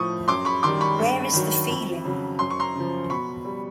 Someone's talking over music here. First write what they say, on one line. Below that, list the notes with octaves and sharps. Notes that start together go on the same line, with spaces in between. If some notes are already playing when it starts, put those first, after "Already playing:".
Where Is the Feeling?
Already playing: A2 F3 C#6 D#6
F#2 C6 D6
B5 C#6
D#3 G3 C6 D6
B5 C#6
G2
D#3 F#3
F2
C#3 F#3
F#2 C6
C#6
A#5 C6
C#3 F3
B2 B5 C#6
G3